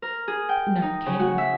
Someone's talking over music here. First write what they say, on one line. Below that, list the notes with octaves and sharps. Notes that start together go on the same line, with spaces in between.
None came.
A#4
G#4
G5
D#4
C#3
F#4
E5